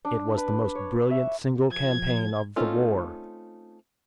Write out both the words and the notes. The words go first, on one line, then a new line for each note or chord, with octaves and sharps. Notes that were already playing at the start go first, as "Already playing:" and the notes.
It was the most brilliant single campaign of the war.
D4
B4
C#5
E5
F3 G#6
A3 C4 C#4 D#4 F4